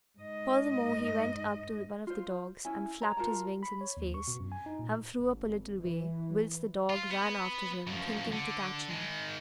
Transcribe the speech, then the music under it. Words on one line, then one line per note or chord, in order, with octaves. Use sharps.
Furthermore he went up to one of the dogs and flapped his wings in his face and flew up a little way, whilst the dog ran after him thinking to catch him.
G#2 D#5
F4 C5
C#4 E4 G#5
C#5 A#5
F4 A#4 A5 A#5
B5
C#5
D#2
C#6
B2
F#2
G#5
D#4
A#2
G#1
E3
F4
B3
F#2 F3
D3
D#3 G#3